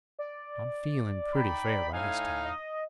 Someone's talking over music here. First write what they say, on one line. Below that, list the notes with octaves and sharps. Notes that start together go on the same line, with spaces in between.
"I'm feeling pretty fair by this time."
D5
D#4 G5 B5
A2 D#4 F5 G#5
D#5